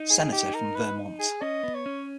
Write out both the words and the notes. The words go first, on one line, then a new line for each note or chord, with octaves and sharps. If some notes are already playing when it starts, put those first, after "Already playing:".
Senator from Vermont.
Already playing: D#4
G#4
G4
A#4
B4
G#4
C#4 D#5
B3
C#5
C#4